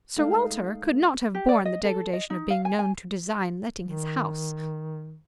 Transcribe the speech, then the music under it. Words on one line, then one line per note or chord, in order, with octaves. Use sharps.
Sir Walter could not have borne the degradation of being known to design letting his house.
G#3 A3 D#4 A4 A#4 F5
G4
D5
D#5
A4
D#5
D#4
F5
G#5
G#5
D#3